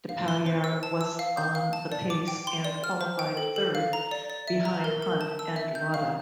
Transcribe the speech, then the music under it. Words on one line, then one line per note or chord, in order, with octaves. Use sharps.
Depailler was on the pace and qualified third, behind Hunt and Lauda.
F5
C6
C5
E6
A5
E6
F5
G6
F5
A5
D5
D6
G5
C6
D5
F6
C5
G5
A4
A4
F5
A#5
D5
D5
E5
A#5
A#4
A#4
A5
E6
E5
G6
F5